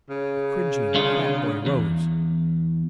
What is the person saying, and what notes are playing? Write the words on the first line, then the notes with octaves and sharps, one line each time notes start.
The cringing fat boy rose.
C#3
C2 D3 F4
E2